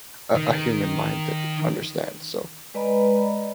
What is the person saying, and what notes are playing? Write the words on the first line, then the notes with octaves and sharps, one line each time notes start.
a a human mind to eh understand, so
D#3 D#4
G#3 B4 D5 D#5 A#5 B5